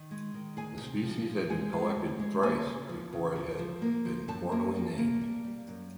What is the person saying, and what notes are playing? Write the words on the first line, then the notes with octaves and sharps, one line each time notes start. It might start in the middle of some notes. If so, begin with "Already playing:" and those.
The species had been collected thrice before it had been formally named.
Already playing: D#3
G#3
D#3
D2 G#4 G#5
C3
F3
F3
G#3 G#4 G#5
G#3
D2
G#3
A#3 G#4 G#5
C#3
F3
C#3
F3
F3
A#3
F3
F#2 A4 A5
A#3
A#3
A#3
G3
G3
F#2